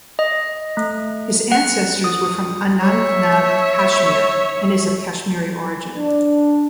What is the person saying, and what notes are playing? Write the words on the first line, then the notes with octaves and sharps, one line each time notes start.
His ancestors were from Anantnag, Kashmir and is of Kashmiri origin.
D#5
A3
F#5
D#6
C#5 E5
D4